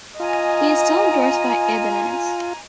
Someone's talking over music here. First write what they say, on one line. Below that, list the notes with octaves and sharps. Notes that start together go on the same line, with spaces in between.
He is still endorsed by Ibanez.
F4 D#5 G#5 A#5